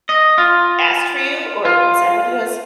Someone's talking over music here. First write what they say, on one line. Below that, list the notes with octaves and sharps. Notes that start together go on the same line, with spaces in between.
asked for you? Or was that what it was?
D#5
F4
F4